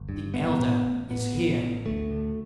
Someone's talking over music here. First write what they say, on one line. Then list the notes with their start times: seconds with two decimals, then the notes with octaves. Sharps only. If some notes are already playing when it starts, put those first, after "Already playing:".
"The elder is here."
Already playing: G1
0.09 G2
0.34 A1 B3
0.60 A2
0.85 A1
1.10 A2 B3
1.35 A1
1.60 A1
1.86 D2 A3
2.11 D3